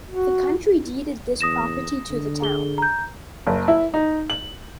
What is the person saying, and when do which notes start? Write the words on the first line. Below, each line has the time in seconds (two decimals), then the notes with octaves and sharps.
The county deeded this property to the town.
0.11 F#4
1.41 E2 D#6 A#6 E7
2.11 D3
2.42 G#4 G7
2.78 A#5 G6
3.47 F#1
3.68 E4
3.94 D#4
4.30 F#7